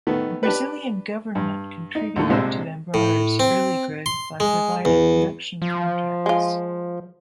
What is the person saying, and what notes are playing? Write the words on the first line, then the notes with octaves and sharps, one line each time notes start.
The Brazilian Government contributed to Embraer's early growth by providing production contracts.
D#3 A3 B3
D4 G4 B4
G2
D#4
D#2 A2 D3 D#3
A#1 C3 G#3 D4 C5 E6
A2
C4
C6
G#3
E2
F3
G#3 F4